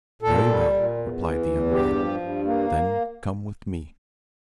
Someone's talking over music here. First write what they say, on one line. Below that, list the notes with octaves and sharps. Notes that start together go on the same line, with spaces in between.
'Very well,' replied the young man; 'then come with me.'
A#2 A4
G3
A#2
E2
E3
E2
G2 G4
F3
G2
A#3